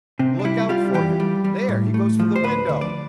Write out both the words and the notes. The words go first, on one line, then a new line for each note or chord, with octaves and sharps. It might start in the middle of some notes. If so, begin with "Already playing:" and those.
"Look out for him--there he goes for the window."
C3 C4
D4
G3 E4
G3 F4
E3 G4
G3
G3
A2
A3
F3
C5
D2 B4
D2
D5